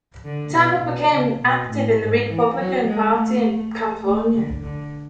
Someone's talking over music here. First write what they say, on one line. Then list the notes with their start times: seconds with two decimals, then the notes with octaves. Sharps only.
Temple became active in the Republican Party in California.
0.25 D3
0.54 B2
0.83 B2
1.12 C#3
1.42 B2
1.70 A2
2.00 G#2
2.29 E3
2.58 F#3
2.87 G#3
3.16 A3
4.04 A3
4.33 D3
4.62 D3